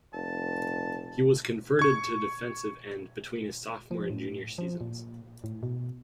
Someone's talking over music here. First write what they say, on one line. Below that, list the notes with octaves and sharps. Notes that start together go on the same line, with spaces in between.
He was converted to defensive end between his sophomore and junior seasons.
F1 A5
C#6 G#6
F3
A2
F3
A#2
A2
B2